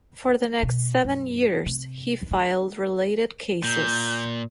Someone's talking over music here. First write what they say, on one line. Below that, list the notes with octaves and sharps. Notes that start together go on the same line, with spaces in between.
For the next seven years he filed related cases.
B2
F#2
C3
D3
A#2 G6